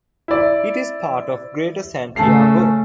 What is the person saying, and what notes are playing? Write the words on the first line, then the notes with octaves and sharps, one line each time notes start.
It is part of Greater Santiago.
E4 D5
C#3 A3 A5 C7